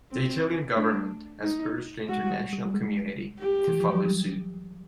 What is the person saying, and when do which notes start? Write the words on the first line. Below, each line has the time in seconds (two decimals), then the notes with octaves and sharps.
The Italian government has urged the international community to follow suit.
0.11 C4
0.76 A3 D4
1.43 D#4
2.09 G#3 F#4
2.31 G3
2.53 G3
2.65 G3
2.74 G#3
3.40 G4
3.68 E3
3.80 F3
3.93 F#3
4.05 G3